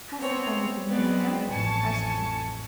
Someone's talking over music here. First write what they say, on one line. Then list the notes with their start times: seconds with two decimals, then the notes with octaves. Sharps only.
'Has anything happened?' asked he.
0.20 B3 C4 C#5
0.89 F#3 G#3 B3 C4 D5
1.49 A1 F2 G#5 A5 C#6 C#7